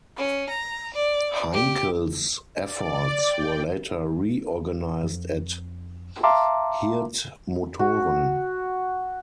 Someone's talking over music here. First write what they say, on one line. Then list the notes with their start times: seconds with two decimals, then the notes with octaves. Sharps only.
Heinkel's efforts were later re-organized at Hirth Motoren.
0.18 C#4
0.50 A#5
0.94 D5
1.53 G4
2.63 D5
3.28 G5
5.03 F2
6.23 E5 F5 A5 A#5 C6 D6
7.79 F#4